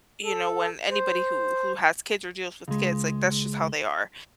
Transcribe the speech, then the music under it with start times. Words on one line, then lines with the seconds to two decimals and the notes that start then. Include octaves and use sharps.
you know, when anybody who, who has kids or deals with kids, like that's just how they are,
0.24 A4
0.91 C5
2.68 C#2 G#3